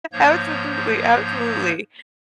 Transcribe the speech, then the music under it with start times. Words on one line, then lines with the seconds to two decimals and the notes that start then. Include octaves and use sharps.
Absolutely. Absolutely.
0.13 G#2 F3 A#3 C#5 G6